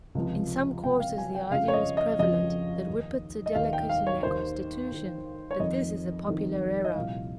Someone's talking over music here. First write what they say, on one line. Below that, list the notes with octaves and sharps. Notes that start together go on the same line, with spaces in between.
In some quarters the idea is prevalent that Whippets are delicate in their constitution, but this is a popular error.
C#2 C3 F3
C#2 C3 F3 G5
F5
G#5
G5
F2 C#3 F3 F5
C#5
D#5
D#5
F2 C#3 F3 D#5
D#2 D#3
D#5
D#2 D#3 F5
G5
F5
C#5
D#2 D#3 C5
D#2 D#3
C#5
F2 D#3 D#5
F2 D#3
D#5
C2 A#2 F3 F5